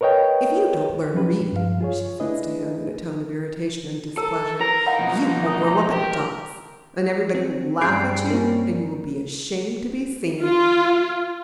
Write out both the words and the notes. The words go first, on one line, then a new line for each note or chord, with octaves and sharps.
"If you don't learn to read," she says to him, in a tone of irritation and displeasure, "you will grow up a dunce, and every body will laugh at you, and you will be ashamed to be seen."
A#4 B4 C#5 D#5 G5
F3 F#3 C#4 F4 G4 B4
G2 F3 F5
F4 G#4 C#5
A3 D4 E4 G#4 B4 D#5
E4 A4 A#4 E6
E4 A#4 B4 A#5
D#4 F5 F#5 B5
B2 F3
E5 D#6
G4 A#4
C4
G2 F#3 G3 C#4 G#4 G6 C7 D7
A#3 C4 C#4 A#4
F4